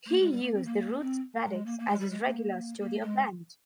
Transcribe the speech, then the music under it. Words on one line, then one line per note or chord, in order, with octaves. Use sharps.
He used the Roots Radics as his regular studio band.
G#3
A#3
G#3
G3
A#3
C4
A#3
A#3
C4
G#3
A#3
A#3
G#3
G3
G#3
A#3
A#3
G#3